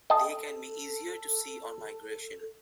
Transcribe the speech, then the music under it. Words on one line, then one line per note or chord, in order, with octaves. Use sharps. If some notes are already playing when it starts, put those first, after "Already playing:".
They can be easier to see on migration.
A4 D#5 G5 A5